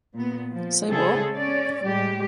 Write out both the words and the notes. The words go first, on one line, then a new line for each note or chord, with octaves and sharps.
Say what?
A#2 B3
F3
C#3 G#3 C4 G#4 A4
C#4 D5
A2 G3 G#3 G4